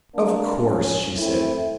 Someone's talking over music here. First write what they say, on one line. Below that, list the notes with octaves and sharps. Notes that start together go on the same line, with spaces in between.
"Of course," she said.
C2 G2 D3 A#3 D4
F3 C#4
A3 C4 E4